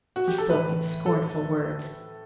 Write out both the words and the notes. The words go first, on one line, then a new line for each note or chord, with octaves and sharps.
He spoke in scornful words.
F#4
G4
A4
A2 E3 B4
A4